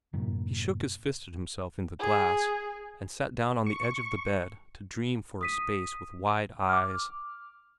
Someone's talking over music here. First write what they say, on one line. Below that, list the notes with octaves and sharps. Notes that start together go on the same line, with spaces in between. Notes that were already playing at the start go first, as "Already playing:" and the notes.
He shook his fist at himself in the glass, and sat down on the edge of the bed to dream for a space with wide eyes.
F#2 A2 C3 A#3
G#4
C#6
D#6 B6 D#7
D6 F6